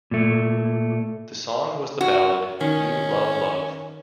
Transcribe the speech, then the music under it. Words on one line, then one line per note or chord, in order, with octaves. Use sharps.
The song was the ballad "You Love Love".
A#2 A3
F#4
D#3 C#4